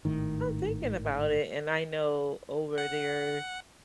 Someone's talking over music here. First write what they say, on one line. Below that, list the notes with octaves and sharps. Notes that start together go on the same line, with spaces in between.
I'm thinking about it, and I know over there
G#1 A2 D#3
F#5